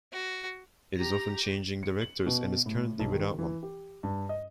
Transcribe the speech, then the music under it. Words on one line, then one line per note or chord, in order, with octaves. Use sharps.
It is often changing directors and is currently without one.
F#4
G4 A#5
C#7
F#7
B2
A2
B1
D#3
E3
G4
G2
D#5